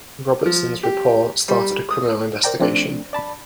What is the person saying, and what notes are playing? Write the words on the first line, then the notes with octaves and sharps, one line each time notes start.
Robertson's report started a criminal investigation.
F3
G4
G3
D#6
A#4 C5 D5 G5 A#5
F3 A3 C4 D4
D5 A5 B5